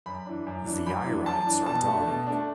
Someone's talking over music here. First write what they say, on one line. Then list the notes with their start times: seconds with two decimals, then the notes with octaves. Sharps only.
The irides are dark.
0.06 F#2 B5
0.26 E3 D4
0.47 F#2
0.66 E3 D4
0.86 F#2 B5
1.06 E3 D4
1.26 F#2 A5
1.47 E3 D4
1.66 B2 A5
1.87 A3 D4
2.07 B2
2.27 A3 D4